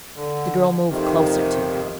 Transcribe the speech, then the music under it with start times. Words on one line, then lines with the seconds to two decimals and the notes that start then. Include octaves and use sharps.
The girl moved closer to him.
0.16 D3
0.89 F2 C3 D#3